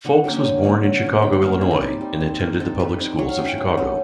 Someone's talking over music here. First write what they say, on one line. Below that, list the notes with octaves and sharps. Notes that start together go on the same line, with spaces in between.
Foulkes was born in Chicago, Illinois and attended the public schools of Chicago.
D3 F#5
F#3 A#3 C#4 G5
D3 G#5
F#3 A#3 C#4
D3
F#3 A#3 C#4
D3 G5
F#5
F#3 A#3 C#4 F5
F5
G3 E5
C#5 D#5
C4 D#4 D5
G3
C4 D#4
G3 A#4
C4 D#4 A4
G3 B4
C4 D#4
F#3 C#5
F5
A3 C#4 G5
G5
F#3
A3 C#4